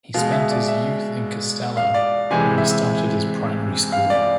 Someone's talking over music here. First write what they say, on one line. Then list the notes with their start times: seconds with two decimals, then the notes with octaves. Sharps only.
He spent his youth in Castello, where he started his primary school.
0.14 B2 G#3 F5
0.32 E5
0.51 D5
0.68 E5
1.77 F5
1.94 D5
2.31 C3 E3 G#3 G#5
2.58 E5
2.70 E5
3.92 F5
4.10 D5